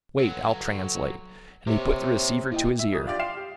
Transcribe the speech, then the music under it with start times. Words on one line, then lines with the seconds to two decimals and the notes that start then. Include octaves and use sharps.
"Wait, I'll translate," and he put the receiver to his ear.
0.19 F#3 A4 B4 F#5
1.67 C3 A#3 G4 C#5 E5
2.52 A#3 E4 F4 D#5 G5
2.79 E5
2.93 F2 D#6
3.06 D4 F4 G4 D5
3.19 F5 G5 C6 F6 C7 E7
3.37 G4